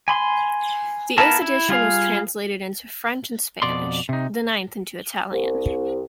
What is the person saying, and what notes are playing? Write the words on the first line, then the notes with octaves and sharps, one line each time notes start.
The eighth edition was translated into French and Spanish, the ninth into Italian.
G#5 B5 C6
B3 E4 A#4 F5 A5
E4
G3 F4 G#4 F5
F2 B2 D5 C6
C3 D#4
C2